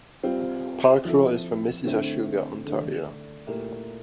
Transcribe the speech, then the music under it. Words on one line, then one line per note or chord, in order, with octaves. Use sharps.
Pakrul is from Mississauga, Ontario.
G3 C4 F4
F3 C4 E4 A4
D3 A3 C4 E4
D3 A3 D4
A#2 A3 E4 G4 A#4